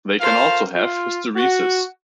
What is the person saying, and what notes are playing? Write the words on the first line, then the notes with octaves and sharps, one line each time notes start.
They can also have hysteresis.
A3 F4 A#4 C5 F5
F4
F#4